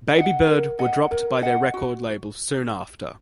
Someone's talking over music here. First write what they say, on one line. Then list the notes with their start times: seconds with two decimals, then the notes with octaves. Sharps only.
Babybird were dropped by their record label soon after.
0.16 D#5 F#5
0.47 A#4
0.79 D#5 F#5
1.11 A#4
1.42 D#5 F#5
1.74 F#4